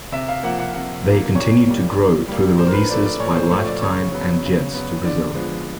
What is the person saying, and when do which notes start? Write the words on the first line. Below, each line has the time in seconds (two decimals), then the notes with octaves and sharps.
They continued to grow through the releases by Lifetime and Jets to Brazil.
0.12 C3 E5
0.28 F5
0.43 F3 A#3 F#5
0.59 F#5
0.74 C3 F#5
1.04 F3 A#3
1.35 A#2 C#5
1.66 G3 A#3
1.97 A#2
2.28 G3 A#3
2.58 A#2 C5
2.67 A#4
2.73 B4
2.89 F3 A3 D5
3.05 D5
3.20 A#2 C#5
3.35 C5
3.50 F3 A3 C#5
3.65 D5
3.81 C#3 C#5
4.12 F#3 B3
4.43 C#3
4.74 F#3 B3
5.04 D3 D5
5.34 F3 G#3 B3